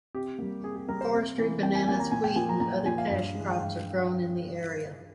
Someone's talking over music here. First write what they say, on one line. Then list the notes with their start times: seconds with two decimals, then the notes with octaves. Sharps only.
Forestry, bananas, wheat and other cash crops are grown in the area.
0.15 C3 G4
0.39 G3 A#3
0.64 C3 G#4
0.76 G#4
0.88 G3 A#3 A#4
1.01 C5
1.13 C3
1.37 E3 A#3 C#4
1.63 C3 G5
1.75 G#5
1.87 E3 A#3 C#4 G#5
1.99 A#5
2.12 A#2 G#5
2.24 G5
2.36 F3 A#3 G#5
2.49 A#5
2.61 A#2 A#5
2.85 F3 A#3 G#5
2.98 F5
3.10 G2
3.35 E3 G#3
3.50 G5
3.60 G2 F5